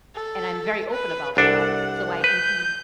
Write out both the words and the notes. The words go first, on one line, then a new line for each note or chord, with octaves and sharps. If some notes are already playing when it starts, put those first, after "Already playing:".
and I'm very open about that. So I and he
A4
B4
C2 D4 A4 F#5
B4 G6